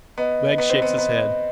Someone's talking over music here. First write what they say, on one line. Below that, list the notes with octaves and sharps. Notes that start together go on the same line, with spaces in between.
Wegg shakes his head.
B3 D#5
B3
C4
B3
B3